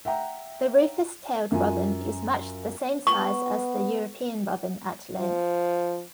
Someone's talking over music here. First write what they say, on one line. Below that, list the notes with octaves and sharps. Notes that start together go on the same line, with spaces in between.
The rufous-tailed robin is much the same size as the European robin at length.
E5 F#5 G5 A#5
F#2 F4 G#5
B3 C#6
F3